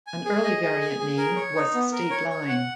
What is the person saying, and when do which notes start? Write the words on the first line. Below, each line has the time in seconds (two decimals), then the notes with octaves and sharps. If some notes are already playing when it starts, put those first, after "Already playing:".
An early variant name was State Line.
0.07 G#5
0.25 G#4
0.44 D#5
0.63 G#4
0.81 G#5
0.99 G#4
1.17 A#4
1.36 C#5
1.55 D#4
1.74 B3
1.92 A#4
2.10 C#5
2.29 C#5
2.48 F#5